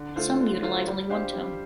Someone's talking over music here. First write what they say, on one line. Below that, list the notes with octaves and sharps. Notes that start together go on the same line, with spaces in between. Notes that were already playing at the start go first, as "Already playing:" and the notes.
Some utilize only one tone.
Already playing: D3
A3 F4 C5 F5
D3
A3 F4 C5 F5
G3
D4 G4 C5 F5
G3